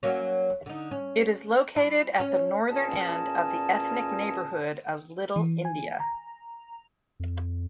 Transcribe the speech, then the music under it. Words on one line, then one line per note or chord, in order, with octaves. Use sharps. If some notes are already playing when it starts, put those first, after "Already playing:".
It is located at the northern end of the ethnic neighbourhood of Little India.
F#3 A#3 C#4
D3 D#4
C#4
E4
C#4
E2 A#2 C#4 D#5 G#5 A5
E3
G#5
A#5
F2